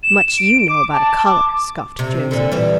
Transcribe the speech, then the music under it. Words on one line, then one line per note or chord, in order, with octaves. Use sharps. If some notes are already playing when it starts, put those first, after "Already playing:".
Much you know about a colour,' scoffed Josie.
E7
D7
D6
A5
D6
C3
A#2 D3
E3 G3